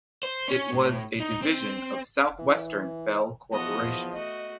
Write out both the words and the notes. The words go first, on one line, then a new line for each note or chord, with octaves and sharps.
It was a division of Southwestern Bell Corporation.
C5
C#4
A2
D#4
C4
E3
E2 F3 B3 F#4 D#5
A3 F#4 D#5